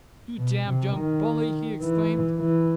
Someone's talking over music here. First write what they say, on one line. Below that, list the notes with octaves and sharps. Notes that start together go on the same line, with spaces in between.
"You damned young bully!" he exclaimed.
B2
C3
D#3
E3
E3